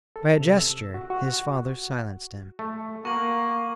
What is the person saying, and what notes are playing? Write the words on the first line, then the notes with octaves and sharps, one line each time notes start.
By a gesture his father silenced him.
A4
C3
E6
F#4
F#4
A3
A#3 F#4 C#6 F#7